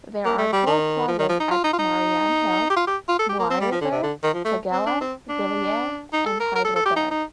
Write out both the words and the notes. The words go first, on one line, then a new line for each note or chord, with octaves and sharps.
There are toll plazas at Marianhill, Mooiriver, Tugela, Villiers and Heidelberg.
A#3
A3
G3
D#3
F3
D#3
F3
D#4
F4
D#4
F4
D#4
G4
F4
G4
F4
A4
G4
A#3
C4
G3
F3
D3
C3
D3
D#3
F3
A3
C4
D4
C4
D4
D#4
A4
A#4
A#4
A4
A4
G4
D#4
D#4